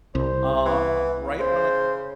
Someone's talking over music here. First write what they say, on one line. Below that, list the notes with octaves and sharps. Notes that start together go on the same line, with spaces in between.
uh, er, right, when I
C2 C5
E3 B3
C#3 C5